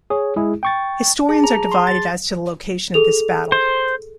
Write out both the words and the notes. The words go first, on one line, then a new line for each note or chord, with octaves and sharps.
Historians are divided as to the location of this battle.
G#4 C#5
G#3 E4 G#4
G5 C#6 A6
G#4 A5
A#5
C6
A6
G#4 A4 F7
C5